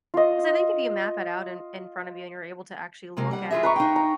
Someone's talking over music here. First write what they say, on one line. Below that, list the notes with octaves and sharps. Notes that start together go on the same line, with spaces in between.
'Cause I think if you map it out in in front of you and you're able to actually look at,
F4 D#5
C3 G#3 A#3
G3 F#5
F4 G#4 E5
B4 A#5 C#6
D#4 F5 G5
A#5